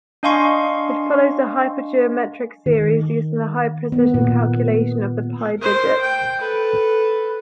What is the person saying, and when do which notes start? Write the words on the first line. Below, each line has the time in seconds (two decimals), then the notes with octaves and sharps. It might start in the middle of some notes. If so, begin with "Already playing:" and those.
It follows a hypergeometric series used in the high-precision calculation of the pi digits.
0.23 D4 D#5 F5 G#5 C6 C#6
2.66 D#3
3.92 B3
4.14 A#2
5.59 A#4 C5
6.01 G5
6.38 A4 B4